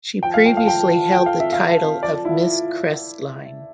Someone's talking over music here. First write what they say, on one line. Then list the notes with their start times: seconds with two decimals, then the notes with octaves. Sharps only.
She previously held the title of "Miss Crestline".
0.23 F3 G5
0.34 F5
0.45 A3 D4 G5
0.57 F5
0.68 F3 G5
0.91 A3 D4
1.12 A3 G5
1.26 F5
1.36 C4 G4 E5
1.53 F5
1.58 A3
1.79 C4 G4
2.02 F3 D5
2.24 E4 F4
2.29 B3